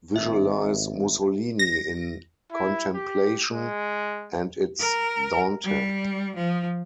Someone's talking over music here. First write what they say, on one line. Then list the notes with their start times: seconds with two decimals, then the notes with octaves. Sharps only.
Visualize Mussolini in contemplation, and it's Dante.
0.16 G#1 E5
1.59 A#6
2.52 E4
2.94 G4
3.51 G#3
4.79 A#4
5.64 G3
6.36 F3